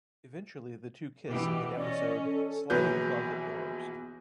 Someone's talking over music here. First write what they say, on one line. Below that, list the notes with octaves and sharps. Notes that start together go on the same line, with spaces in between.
Eventually the two kiss in the episode "Sliding Closet Doors".
B2 E3 G4
C#4 D5 D#5
A4
A#1 B2 E3 F#3 B4 G6